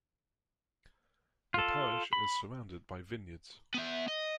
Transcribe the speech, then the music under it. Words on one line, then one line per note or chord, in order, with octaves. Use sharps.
The parish is surrounded by vineyards.
F4 A4
B5
B3 E5
D#5